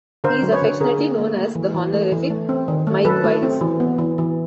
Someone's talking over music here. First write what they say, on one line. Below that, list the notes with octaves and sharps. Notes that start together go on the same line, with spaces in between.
He is affectionately known as 'The Honorific' Mike Wilds.
D3 A#4 C5
F#3
B4 C#5
D3
D3 G#4 A#4
A#3
A#3
A3
E3
E3
A3
E3
A3
C4
D#3
A3
F#3 A4 B4
A3
C4
E3
B3
E3
E3